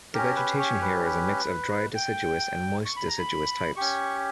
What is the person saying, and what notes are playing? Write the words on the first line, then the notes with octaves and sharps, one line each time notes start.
The vegetation here is a mix of dry deciduous and moist deciduous types.
C#4 G4 A#4
B4
C#5
B4
B4
G5
C#6
B5
A#5
B5
C#4 G4 C#6